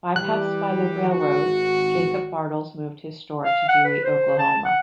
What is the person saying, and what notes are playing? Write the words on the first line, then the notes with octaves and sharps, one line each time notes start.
Bypassed by the railroad, Jacob Bartles moved his store to Dewey, Oklahoma.
E3 G3 G4 F#6
G#1 F#4
F5
F#5
B4
C5
A5
F#5